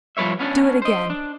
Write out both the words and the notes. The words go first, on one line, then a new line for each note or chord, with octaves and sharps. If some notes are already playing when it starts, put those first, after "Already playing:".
Do it again!
F3 G3 B4 C#5 E5
B3 C#4 D4
C5 D#5
D4